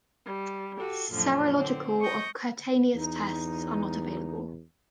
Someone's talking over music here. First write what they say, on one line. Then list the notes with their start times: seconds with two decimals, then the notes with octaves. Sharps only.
Serological or cutaneous tests are not available.
0.24 G3
0.76 F#4 G4 A4
1.12 F#2 A#2 D3 F3
1.56 D3 C4
2.01 C#6 D#6 G6 A#6
2.94 E2 D#4